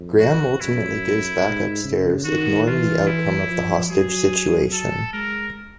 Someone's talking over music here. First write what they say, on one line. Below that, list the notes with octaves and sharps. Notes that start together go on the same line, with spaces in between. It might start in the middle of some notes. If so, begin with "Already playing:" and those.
Graham ultimately goes back upstairs, ignoring the outcome of the hostage situation.
Already playing: F2
F#4
F#2 E4
G#2
C#3
D#3 F#4
E3 F4
E4
F3
F#3 G#4
A4
G#3 A#4